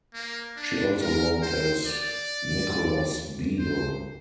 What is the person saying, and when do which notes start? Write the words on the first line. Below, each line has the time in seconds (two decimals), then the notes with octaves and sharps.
She also wrote as Nicholas Bevel.
0.14 A#3
0.57 D4
1.01 A#4
1.43 C5
1.86 D5
3.59 C5